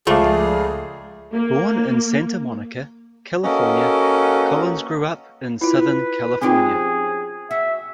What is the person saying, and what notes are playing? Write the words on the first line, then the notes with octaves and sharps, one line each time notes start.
Born in Santa Monica, California, Collins grew up in Southern California.
C#2 F3 A3 G#4 D5 F5
A#3
A#3 C#4 F#4 A4 B4 D#5
E4 F4 B4
F3 C4 C#4 D#4 F4 G4 G#4
F#4 E5